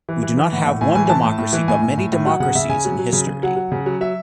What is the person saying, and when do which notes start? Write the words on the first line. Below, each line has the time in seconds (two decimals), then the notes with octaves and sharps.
We do not have one democracy but many democracies in history.
0.09 E3
0.23 E3
0.37 E3
0.52 A2 F#5
0.66 A2
0.81 A2 G#5
0.95 E3 G#5
1.06 G#5
1.09 E3 A5
1.24 A2
1.38 A2
1.53 E3
1.68 A2 G#5
1.83 A2
1.98 A2
2.12 A2
2.26 F#3 F#5
2.40 C#3 F#5
2.55 C#3 E5
2.69 C#3 G#5
2.85 F#3
2.99 F#3
3.13 C#3
3.27 C#3
3.43 F#3 F#5
3.56 F#3
3.72 C#3
3.86 F#3
4.01 F#3 E5